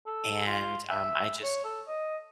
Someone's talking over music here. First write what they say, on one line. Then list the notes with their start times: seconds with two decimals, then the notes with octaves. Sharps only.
and, um, I just
0.06 A4
0.47 F4
0.90 E5
1.43 C#5
1.64 A4
1.87 D#5